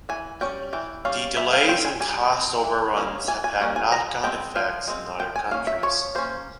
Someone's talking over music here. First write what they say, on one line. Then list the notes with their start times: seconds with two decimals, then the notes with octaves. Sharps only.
The delays and cost overruns have had knock-on effects in other countries.
0.09 E3 G#5
0.41 G3 C#4 G5
0.73 E3 G5
1.05 G3 C#4 F5
1.37 G3 E5
1.53 F5
1.68 C4 G5
1.85 G#5
2.00 G3 G#5
2.33 C4
2.64 E3
2.97 G3 A#3 C#4
3.28 E3 G#5
3.44 G#5
3.60 G3 A#3 C#4
3.76 G#5
3.92 F3 A#5
4.24 G#3 C4 G5
4.55 F3 F5
4.88 G#3 C4
5.19 F3 G5
5.36 G#5
5.51 A#3 C#4 F5
5.67 E5
5.83 F3 C#5
6.15 A#3 C#4 C5